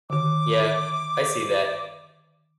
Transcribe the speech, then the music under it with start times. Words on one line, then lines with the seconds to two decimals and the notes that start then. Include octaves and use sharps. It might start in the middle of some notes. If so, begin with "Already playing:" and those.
Yeah, I see that.
0.10 D3 D#3 D6